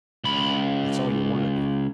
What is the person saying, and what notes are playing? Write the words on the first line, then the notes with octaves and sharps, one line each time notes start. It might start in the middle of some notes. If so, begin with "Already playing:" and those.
"That's all you want to do."
C#2 B5